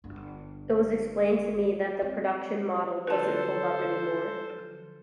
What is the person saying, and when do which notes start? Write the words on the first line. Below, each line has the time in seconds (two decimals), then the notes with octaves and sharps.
It was explained to me that that production model doesn't hold up anymore.
0.04 G1 G2
2.02 C4
3.07 D3 F3 F#3 A4 B4 C5 A5